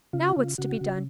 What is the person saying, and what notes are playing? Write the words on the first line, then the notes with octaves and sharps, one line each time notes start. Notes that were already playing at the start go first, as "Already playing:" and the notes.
Now what's to be done?
C#3 F4
C#3
C#3 F#4
C#3